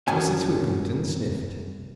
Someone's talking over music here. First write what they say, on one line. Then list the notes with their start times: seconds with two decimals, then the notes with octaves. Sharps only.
Mrs. Hoopington sniffed.
0.08 C2 F#2 C#4 G#5